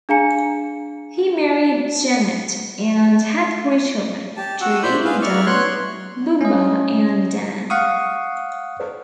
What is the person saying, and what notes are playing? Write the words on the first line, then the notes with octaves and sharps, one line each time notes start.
He married Jeannette and had three children: Trudy, Don "Bubba", and Dan.
D4 G#4 F5 G#5 A#5 C#7
G4 A5
F#4 F#5 E6
E4 C5 D5 B5 G6
G#4 B4 F5
D5 E5 C#6 F6
B3 C#5 C6 F#6
C#4 D#5
F5 F#5 C#6 D#6